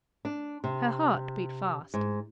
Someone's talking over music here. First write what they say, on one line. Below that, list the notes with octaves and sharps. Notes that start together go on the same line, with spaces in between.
Her heart beat fast.
D4
C3
G#2